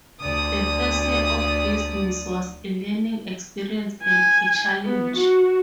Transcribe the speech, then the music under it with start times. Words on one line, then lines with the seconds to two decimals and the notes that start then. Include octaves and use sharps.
The first year of business was a learning experience and a challenge.
0.19 D2 D5 D#6
4.03 G#5
4.85 B3
5.16 F#4